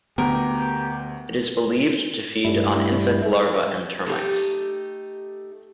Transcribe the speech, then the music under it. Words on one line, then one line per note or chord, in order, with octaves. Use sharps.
It is believed to feed on insect larvae and termites.
D2 B3 G4 A#4
G2 G3 A3 E4
A3 D#4 G4